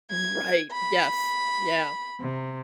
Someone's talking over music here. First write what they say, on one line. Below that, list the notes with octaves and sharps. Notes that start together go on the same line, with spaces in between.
Right, yes, yeah.
G#6
B5
C3